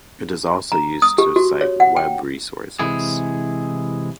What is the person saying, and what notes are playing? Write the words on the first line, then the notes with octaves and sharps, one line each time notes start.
It is also used to cite web resources.
A#5
D#6
G4
F#4
C#5
F#5
G5
C3 E3 G#3 E4 G#4